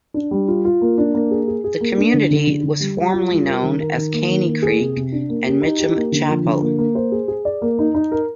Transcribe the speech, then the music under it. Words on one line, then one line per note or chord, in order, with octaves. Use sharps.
The community was formerly known as "Caney Creek" and "Mitcham Chapel".
D4
G3
F4
F4
A#3
D4
A#3
G#4
G#4
G#4
A#3
D4
D3
D3
D3
D3
G3
G3
F4
G3
A#4
D#3
A#4
D#3
A#3
D#3
A#3
G#4
C3
C3
D4
A#3
G4
D#4
G4
A#3
D3
F3
D3
A#3
A#3
C5
G#4
G#4
D5
A#3
D#4
D#4
A#4